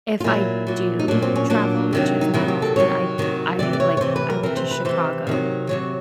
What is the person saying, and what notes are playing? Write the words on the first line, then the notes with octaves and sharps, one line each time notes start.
If I do travel, which is not often, I I, like, I went to Chicago,
F4
A#2 F#3 E4
A#2 F#3
D#4
A#2 F#3 D4
C4
C#4
A#2 F#3 D4
C3 D#3 F#3
D#4
C3 D#3 F#3 E4
G4
A4
C3 D#3 F#3 C#5
C3 D#3 F#3
C3 E3 D5
D5
C#5
C#5
C3 E3 C5
B4
A#4
C3 E3 A#4
C5
B4
C3 E3 C5
C3 D#3 F#3
C3 D#3 F#3 C#5